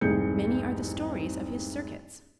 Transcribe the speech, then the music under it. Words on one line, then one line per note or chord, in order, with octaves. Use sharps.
Many are the stories of his circuits.
F1 C2 G#2 G#4 G6 C#7